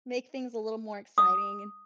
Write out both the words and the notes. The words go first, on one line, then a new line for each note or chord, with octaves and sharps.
make things a little more exciting and
D#6